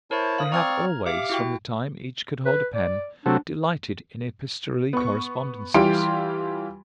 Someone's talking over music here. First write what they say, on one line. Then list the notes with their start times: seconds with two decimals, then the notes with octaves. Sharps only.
We have always, from the time each could hold a pen, delighted in epistolary correspondencies.
0.11 E4 A#4 C5 C#5 A5
0.38 F5 D#6
0.52 C4 D5 A#5 C#6 F6 G#6
1.06 G4 E5 F5 D6
1.30 E4 F#4 G5
2.46 B4
2.74 D5
3.26 C3 F#3 A3 D4
4.93 B3 C#6
5.74 E3 G3 F4 G4 C6 D7